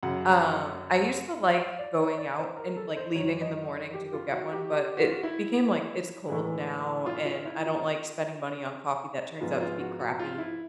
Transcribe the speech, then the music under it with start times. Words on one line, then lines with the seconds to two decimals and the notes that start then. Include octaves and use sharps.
Um, I used to like going out and, like, leaving in the morning to go get one, but it became, like "It's cold now, and I don't like spending money on coffee that turns out to be crappy."
0.03 F#2 C#3 F#3 F#5
1.59 F5
1.79 D5
1.98 C#5
2.18 D5
2.37 C5
2.57 A#4
2.76 A4
2.96 C5
3.15 F#2 D#3 F#3 C#5
3.41 D#5
3.93 G4
4.13 F4
4.33 F#4
4.52 G4
4.71 G4
4.97 F#4
5.05 F4
5.12 F#4
5.23 E4
6.28 A2 E3 G#3
7.06 F4
7.25 F4
7.45 E4
7.65 F4
9.40 G#2 F3 G#3 B3 F4
9.53 F#4
9.60 F4
9.80 F#4
9.99 F#4
10.19 F4
10.38 E4